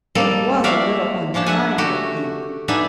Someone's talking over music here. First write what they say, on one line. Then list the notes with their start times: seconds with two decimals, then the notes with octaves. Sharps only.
It was a little unkind, I think.
0.15 G3 A#3 A4 D#5
0.64 F#4 D5 E5 F5
1.34 F3 C#4 D4 A5
1.46 E5 F#5 G#5
1.78 A3 F#4 G4
2.68 B3 D4 D#4 E5 G#5